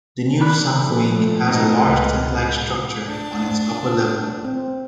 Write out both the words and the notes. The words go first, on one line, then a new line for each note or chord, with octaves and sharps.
The new south wing has a large 'tent-like' structure on its upper level.
D4 B5 F#6
A#2 F3 A3
G#2
C#2 A2 A#4 B4 D#5
D4 A5
C4